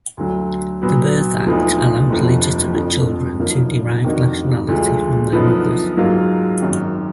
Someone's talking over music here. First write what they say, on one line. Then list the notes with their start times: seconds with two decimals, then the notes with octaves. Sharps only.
The Birth Act allowed legitimate children to derive nationality from their mothers.
0.17 D2 D3 F#3
0.82 A#2 F#3 B3
1.46 D2 D3 F3 B3 D#4
2.10 F1 D#2 D3 F3
2.74 F2 D3 F3
3.39 F#2 D3 F3 A#3 D#4
4.04 F2 D#3 A#3 D4 F#4
4.68 D2 D3 F3 G#3
5.32 F#2 D3 F3 B3 D#4
5.97 G#2 F#3 A#3 F4
6.61 G#1 F#2 D#3